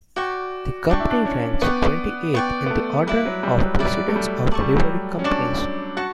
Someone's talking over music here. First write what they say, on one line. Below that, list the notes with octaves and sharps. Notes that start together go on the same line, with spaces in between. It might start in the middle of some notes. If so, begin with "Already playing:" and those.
The Company ranks twenty-eighth in the order of precedence of Livery Companies.
F#4 D5 G5 C#6
D4 D5 G5 C#6
E4
D4
C#4
B3 D5 G5 C#6
B3 D5 G5 C#6
B3
A3
G3 E4 B4 D5
F#3
G3
F#3
G3 E4 B4 D5
A3
G3
A3 D5 A5 C#6
G3
F#3
G3
C#4
D4 D5 A5 C#6
F#4 A5 C#6